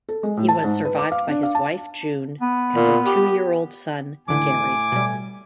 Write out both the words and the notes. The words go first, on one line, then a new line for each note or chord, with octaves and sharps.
He was survived by his wife, June, and their two-year-old son, Gary.
A4
G#3
A2
A5
G#2
B4
D6
F5
D4
F5
A5
B3
A#2
G4
C#2 A2 D3 E3 G#5 D6
B2 G3